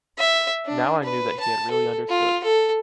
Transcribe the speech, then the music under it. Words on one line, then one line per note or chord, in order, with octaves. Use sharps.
Now I knew that he had really understood.
E5
D4
B4
A5
A4
F4
A4